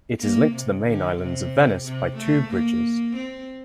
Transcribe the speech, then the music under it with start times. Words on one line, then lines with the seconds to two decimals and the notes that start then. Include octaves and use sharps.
It is linked to the main islands of Venice by two bridges.
0.19 A#3
0.52 C3
0.85 D3
1.18 C3
1.84 C3
2.17 A3
2.49 A#3
3.15 C4